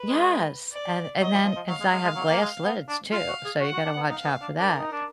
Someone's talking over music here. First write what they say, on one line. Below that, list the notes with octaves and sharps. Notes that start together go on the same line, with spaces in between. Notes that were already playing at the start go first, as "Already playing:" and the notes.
Yes, and and then and so I have glass lids too, so you gotta watch out for that,
Already playing: B4
G#3
D5
F#3 D#5
F3
F3
F3
F#3 F5
G#3
G#3
G#3
F#3
A#3
G#3
B3
D4
F4 F5
F#4
G#4
F#4 F#5
F#4
D4
B3
D#4 F5
B3
D4
D4 A#4
D#4
D4